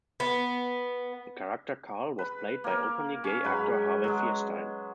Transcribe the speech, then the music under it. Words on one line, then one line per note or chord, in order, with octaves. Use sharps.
The character Karl was played by openly gay actor Harvey Fierstein.
B3
B4
A#3 A#4
C#4
G#2 F#3 B4
F#3 G#3